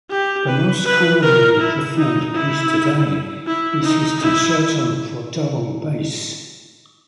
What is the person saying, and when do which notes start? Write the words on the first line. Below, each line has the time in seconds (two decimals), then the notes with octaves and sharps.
The most commonly performed piece today is his concerto for double bass.
0.10 G4
0.47 B4
0.86 B4
1.23 A#4
1.60 E4
1.97 D#4
2.35 E4
3.47 E4
3.84 D#4
4.21 E4